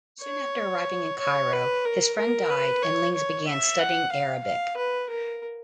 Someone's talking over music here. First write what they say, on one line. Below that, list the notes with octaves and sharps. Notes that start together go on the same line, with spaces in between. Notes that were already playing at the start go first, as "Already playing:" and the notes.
Soon after arriving in Cairo, his friend died and Lings began studying Arabic.
C#5
C#5
B4
A#4
A#4
B4
C#5
C#5
E5
F#5
F5
F5
B4
A#4